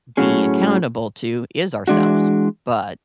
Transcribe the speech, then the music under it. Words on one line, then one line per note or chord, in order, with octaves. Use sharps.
be accountable to is ourselves, but
A2 F#3 C#4 G#4
E3 G#3 D4 F#4